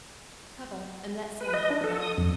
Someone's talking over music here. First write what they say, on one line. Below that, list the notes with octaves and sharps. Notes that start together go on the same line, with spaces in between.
Cover and let simmer half an hour.
B4
D#5
D4
A4
D#6
F2